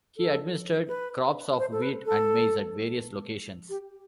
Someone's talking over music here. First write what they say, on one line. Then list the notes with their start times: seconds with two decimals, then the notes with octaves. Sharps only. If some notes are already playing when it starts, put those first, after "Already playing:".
He administered crops of wheat and maize at various locations.
0.17 A4
0.87 B4
1.58 C5
1.72 A4
1.82 B4
2.06 A4
3.69 G4